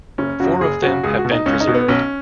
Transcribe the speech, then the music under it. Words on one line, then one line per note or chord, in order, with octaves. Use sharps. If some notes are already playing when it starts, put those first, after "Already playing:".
Four of them have been preserved.
F#1 C#4
F#2 C#3 F#4
F#1 G#4
F#2 C#3 F#4
C#2 G#4
F#4
B2
D#4
C#2 C#4
D#4
B2
B3
B1 C#4